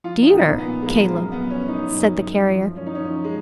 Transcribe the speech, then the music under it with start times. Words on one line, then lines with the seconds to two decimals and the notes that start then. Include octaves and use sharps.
"Dear, Caleb," said the Carrier.
0.04 F3 F4
0.22 D#4
0.31 A#2
0.41 B3
0.58 A#2 B3
0.82 G#3
0.86 F3 A#3
1.14 F#2 A#3
1.32 B3
1.40 F#2
1.50 C#4
1.68 F#2 D#4
1.95 F#2
2.22 F#2
2.49 F3
2.76 F#2 C#4
2.86 D#4
2.95 C#4
3.04 F3
3.24 G#3